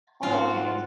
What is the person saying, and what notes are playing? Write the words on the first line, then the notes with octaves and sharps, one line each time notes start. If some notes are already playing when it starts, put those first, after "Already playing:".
Oh, okay.
G#2 B3 C4 F4 F#4